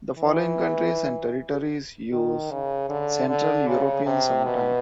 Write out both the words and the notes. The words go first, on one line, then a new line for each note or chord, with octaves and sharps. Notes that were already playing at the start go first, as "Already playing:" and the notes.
The following countries and territories use Central European Summer Time.
E3
D#3
C#3
D3
D3
C#3
C3
B2